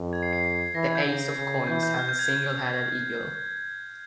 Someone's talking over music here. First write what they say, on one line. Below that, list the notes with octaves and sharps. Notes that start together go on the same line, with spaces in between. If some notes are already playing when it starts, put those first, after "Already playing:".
The Ace of Coins has a single-headed eagle.
Already playing: F2
G#6
C7
C7
E3 A#6
G#6
G6
C#3
C#3
E3 G6
G6
F6
G6
G#6